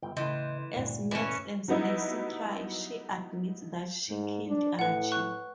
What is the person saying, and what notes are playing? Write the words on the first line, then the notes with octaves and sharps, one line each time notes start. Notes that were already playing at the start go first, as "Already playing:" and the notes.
As Max and Stacey cry, she admits that she killed Archie.
G1 G5
A2 C#3 E3 D#5 C6 G6
D2 G2 A#2
E3 C#4
F#3 G3 B3 D#4 E4
G#2
D4
A2 B4 F#5
C#6 F#6